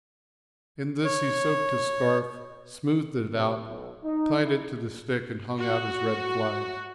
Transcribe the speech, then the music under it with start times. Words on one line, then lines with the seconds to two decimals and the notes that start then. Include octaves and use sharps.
In this he soaked his scarf, smoothed it out, tied it to the stick and hung out his red flag.
1.05 C#5
3.32 C3
3.66 B1
4.04 D#4
4.41 E4
5.58 F#4